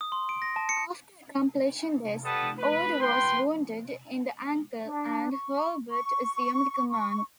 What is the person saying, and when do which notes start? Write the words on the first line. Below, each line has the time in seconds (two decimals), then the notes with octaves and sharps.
After accomplishing this, Ord was wounded in the ankle and Hurlbut assumed command.
0.01 D#6
0.12 C6
0.29 D7
0.42 A#6
0.56 A5
0.69 C#7
2.24 G3 A4 B4 F#5 A5 D#6
2.59 B4
3.00 B4 G5 C6
4.87 D4
5.31 C#6
5.91 C#6
6.89 C#6